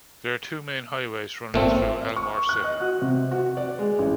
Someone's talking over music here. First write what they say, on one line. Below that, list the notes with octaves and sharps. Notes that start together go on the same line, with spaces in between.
There are two main highways running through Elmore City.
G#1 A#2 A3 C4
C#6
F#6
D#5
F#4
C3
F#4
D5
G#3
A1